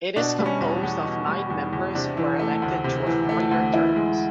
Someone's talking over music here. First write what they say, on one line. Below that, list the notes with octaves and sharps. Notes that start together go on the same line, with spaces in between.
It is composed of nine members who are elected to a four-year terms.
B2 D4
G3
C#4
E2
E2
B2
G3
E2
E2
C3 D4
E3
A3
D2
C3
E3
A3
D2
E3 E4
G#3